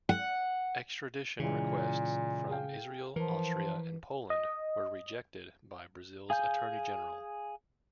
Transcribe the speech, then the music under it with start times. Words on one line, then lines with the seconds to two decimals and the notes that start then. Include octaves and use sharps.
Extradition requests from Israel, Austria and Poland were rejected by Brazil's Attorney General.
0.09 F#5
1.39 A#2 C#3 E3 G#3
2.49 G#4 F5 G5
3.16 E3 F3 A#4
4.30 D#5
6.30 G#4 F5 G#5 G6